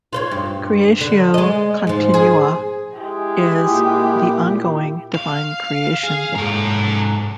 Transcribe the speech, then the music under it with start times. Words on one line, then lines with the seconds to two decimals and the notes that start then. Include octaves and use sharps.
"Creatio continua" is the ongoing divine creation.
0.13 F4 C5 C#5
0.31 G2
1.01 D3
1.34 G#3 D#5
1.87 G#2 F3
2.14 G#4
2.97 G#3 E4 G4 G#4
3.69 A#2
5.15 F5
6.03 G#4
6.36 G#2 C#4 A4 A#5